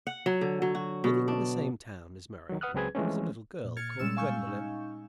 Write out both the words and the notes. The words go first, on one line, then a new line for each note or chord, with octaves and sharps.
Living in the same town as Marian there was a little girl called Gwendolen.
F#5
F#3
D3
F#3
F#4
B2
D4
D#3 F#3
B4 F#5 D#6 F6 F#6
C#2 F#3 C4 G#4 B4 G#6
E3 F3 G#3 A3 C4 C#4
A#2
F6 G#6 A6 C#7
A#2 G3 G#3 C#4 E6 E7
F5 G#5 C#6 E6 G6
D#4